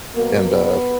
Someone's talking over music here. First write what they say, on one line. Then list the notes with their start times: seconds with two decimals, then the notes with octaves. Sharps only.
and, uh, f
0.15 B2 F#3 A#3 B3 A#4
0.48 B3 B4